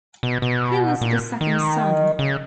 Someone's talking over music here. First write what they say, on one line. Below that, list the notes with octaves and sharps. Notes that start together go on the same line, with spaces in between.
He was the second son.
B2
B2
A#2
D#3
C#3